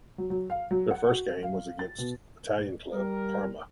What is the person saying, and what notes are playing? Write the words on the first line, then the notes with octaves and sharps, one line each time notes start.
Their first game was against Italian club Parma.
F#3
F#3
F5
F#3
F#5
F#4
F5
A6
B2
G3 A#4